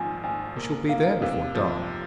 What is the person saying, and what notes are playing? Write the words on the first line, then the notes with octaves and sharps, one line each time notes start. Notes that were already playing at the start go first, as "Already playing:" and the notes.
'We shall be there before dark.'
Already playing: G#1 G#2 F3 G#5
G#1 G#5
A#3
A#3 F5
C3 F5
F3